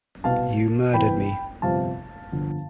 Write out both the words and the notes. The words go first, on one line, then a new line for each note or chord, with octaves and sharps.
You murdered me.
C2 B2 B3 F5 A5
E2 C3 E3 B3 G5 B5
G1 F2 C3 G3 F5 A5
G1 F2 D3